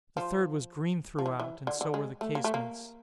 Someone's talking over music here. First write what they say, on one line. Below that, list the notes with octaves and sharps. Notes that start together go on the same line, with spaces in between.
The third was green throughout, and so were the casements.
F3
F3
E3
E3
D3
D3
G#3
A3
A#3
A3
A#3